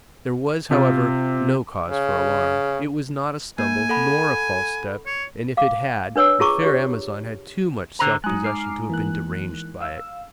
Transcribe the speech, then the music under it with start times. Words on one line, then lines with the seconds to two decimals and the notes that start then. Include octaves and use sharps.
There was, however, no cause for alarm; it was not a stumble, nor a false step; and, if it had, the fair Amazon had too much self-possession to have been deranged by it.
0.71 C3 F4
1.87 C#3
3.59 A#3 G#5
3.89 A4 F#5 B5
5.06 C#5
5.57 F5 D6
6.16 D4 B4 C#5 E6
6.40 F4 G#4 A#5 C#6 D6
6.62 G4 C#5
7.99 D3 C5 A#5
8.24 F#3 G#3 D#4 F#6
8.44 D6 F6 C7
8.89 E3 A#3 F#6
9.81 F5 E6